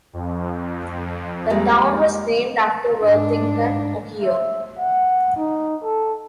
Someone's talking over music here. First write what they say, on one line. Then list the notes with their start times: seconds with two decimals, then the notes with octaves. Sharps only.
The town was named after Worthington, Ohio.
0.13 F2
1.50 G3 G#3 A#3
3.04 G#2 D4
4.22 E5
4.79 F#5
5.37 D#4
5.83 A4